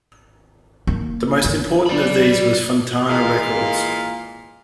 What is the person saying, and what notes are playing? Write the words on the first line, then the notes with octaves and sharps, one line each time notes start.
The most important of these was Fontana Records.
A#3
D#3
D5 B5
A#2 E3 G#3 A#3 F5